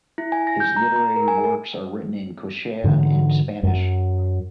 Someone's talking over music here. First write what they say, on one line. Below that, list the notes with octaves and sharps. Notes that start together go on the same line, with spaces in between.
His literary works are written in Quechua and Spanish.
E4
G#5
A#6
G6
A#5
A#5
A#4
G#5
A#4
G#2 D3 E3 F#3
F#2 F#3